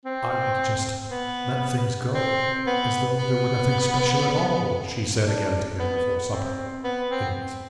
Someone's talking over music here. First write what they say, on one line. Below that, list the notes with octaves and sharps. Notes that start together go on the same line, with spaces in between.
'I would just let things go, as though there were nothing special at all,' she said again to him, before supper, in a whisper.
C4
B3
C4
B3
B3
D4
B3
C4
B3
C4